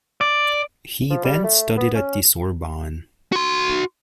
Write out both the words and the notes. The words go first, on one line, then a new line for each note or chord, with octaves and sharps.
He then studied at the Sorbonne.
D5
F3
G3
A3
B3
C#4
F#4 C6